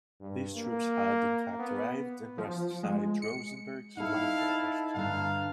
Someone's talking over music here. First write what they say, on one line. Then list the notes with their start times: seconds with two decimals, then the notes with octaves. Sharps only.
These troops had, in fact, arrived and brushed aside Rosenberg's flank guard.
0.20 G2
0.56 A#3
1.59 B3
2.38 F3
2.83 G#3
3.22 C#7
3.97 D#4 E4 A4 F5
4.37 A5
4.95 G2 D3 F5 A#5